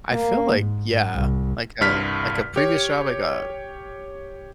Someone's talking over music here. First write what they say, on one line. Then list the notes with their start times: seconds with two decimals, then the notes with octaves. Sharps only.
I feel like Yeah like a like a previous job, I got
0.14 A#3
0.59 G#2
1.15 C2
1.81 C2 G2 F6 B6
2.56 G4 C#5